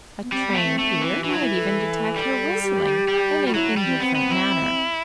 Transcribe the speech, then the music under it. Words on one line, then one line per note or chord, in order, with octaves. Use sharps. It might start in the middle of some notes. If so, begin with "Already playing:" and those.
A trained ear might even detect her whistling in an indifferent manner.
B3
G3 C4
B3
A3
C4
A3
E3
E3 D4
F#3
E3 E4
A4
G3
A4
G4
G3
G3 F#4
F#3 E4
G3
C4
B3 C4
B3
E4